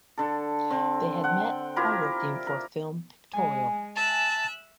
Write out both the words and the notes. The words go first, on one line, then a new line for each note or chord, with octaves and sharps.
They had met while working for "Film Pictorial".
D3 A4
D3 C4
F#5 G5
E4 F4 G4 A#4
A#4
G#3 G#5
E5 A5 F#6